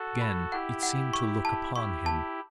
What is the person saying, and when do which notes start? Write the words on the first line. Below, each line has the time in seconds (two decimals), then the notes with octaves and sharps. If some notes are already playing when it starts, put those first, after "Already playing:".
Again it seemed to look upon him.
Already playing: F#4 A4 F#5
0.21 B5
0.52 E4 G4 F#5
0.83 F#5
1.13 C#6
1.45 A5
1.75 E4 G4 C#6
2.06 A5